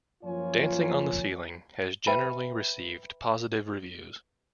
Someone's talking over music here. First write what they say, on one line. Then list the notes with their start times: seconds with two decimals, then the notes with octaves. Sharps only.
"Dancing on the Ceiling" has generally received positive reviews.
0.24 F#2 F3 A#3 F4 C#5 G#5
2.07 B4 E5 G5 A5 B5